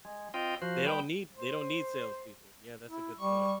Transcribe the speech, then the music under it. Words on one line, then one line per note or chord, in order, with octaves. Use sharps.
they don't need they don't need salespeople. Yeah, that's a good point.
G#3
C4 F4 D#5 G5
F3 F#4 C5
G3 B3 G5
C5
E4
G3 C#6